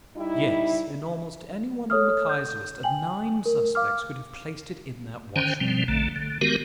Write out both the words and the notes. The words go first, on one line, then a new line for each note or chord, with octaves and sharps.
"Yes, and almost any one on Mackay's list of nine suspects could have placed it in that washroom."
G3 D#4 E4
A4 C#5 D#6 F6
G6
G5 G#5 F#7
A#4
F5 D6 F6
D3 D#3 C#4 C5 G5
B2 F3 G3 C4
A#1 D3 A3
D3
D#3 G#3 B3 F#4 G4 A#4